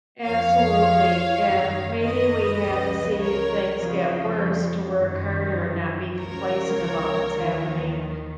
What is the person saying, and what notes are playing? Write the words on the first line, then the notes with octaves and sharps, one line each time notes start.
Absolutely, and maybe we had to see things get worse to work harder and not be complacent about what's happening
F2 F3 C#5 F5
F#2 D#3
B4 D#5
C#2 C#3 F3
A#4 C#5
F2 C#3 F3
F#2 D#3
C#2 C#3 F3 A#4 C#5
D#2 D#3